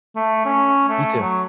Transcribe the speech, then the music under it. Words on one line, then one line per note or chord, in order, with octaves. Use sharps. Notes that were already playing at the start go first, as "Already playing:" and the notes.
You too.
A3
C#4
A3
F#3